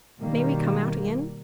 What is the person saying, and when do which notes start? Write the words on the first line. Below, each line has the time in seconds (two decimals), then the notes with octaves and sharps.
May we come out again?
0.19 B2 D#3 G3 A#3